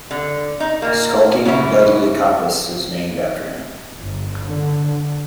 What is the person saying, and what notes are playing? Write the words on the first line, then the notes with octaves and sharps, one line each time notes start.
Skulking Dudley Coppice is named after him.
D3
D#4
A#2 A#3
C#3 E3 B3 E4
G1
D3